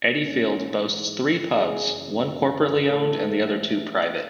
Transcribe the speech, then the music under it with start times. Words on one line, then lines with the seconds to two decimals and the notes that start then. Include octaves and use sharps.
Adeyfield boasts three pubs, one corporately owned and the other two private.
0.24 G#2 E3 C#4
1.57 F#2 C#3 E3 G#4
2.89 A2 E3 A4